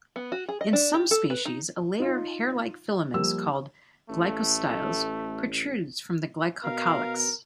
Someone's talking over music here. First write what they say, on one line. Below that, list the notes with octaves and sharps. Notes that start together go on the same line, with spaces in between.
In some species, a layer of hair-like filaments called glycostyles protrudes from the glycocalyx.
B3
F#4
G#4
D#5
D4
G4
A4
B4
D#4
D#4 F4
F3 G3 A#3 E6
A1 A3
B2 A#4 F5